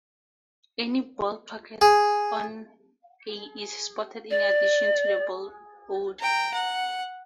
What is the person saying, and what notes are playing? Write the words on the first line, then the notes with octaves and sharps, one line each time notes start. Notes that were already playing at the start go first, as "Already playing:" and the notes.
Any ball pocketed on a is spotted in addition to the ball owed.
G#4
D5
G5 A#5
F#5